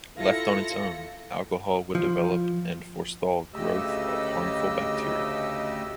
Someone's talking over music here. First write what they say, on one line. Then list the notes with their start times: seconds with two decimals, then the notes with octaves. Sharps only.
Left on its own, alcohol would develop and forestall growth of harmful bacteria.
0.16 E4 F4 A4 A#6 C#7
1.95 F3
3.54 D2 C#3 A3 G4 D#5 E6